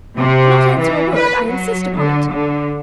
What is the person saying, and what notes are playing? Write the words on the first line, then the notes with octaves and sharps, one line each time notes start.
Do not answer a word; I insist upon it.
C3
E3
B4
F#3
D3
D3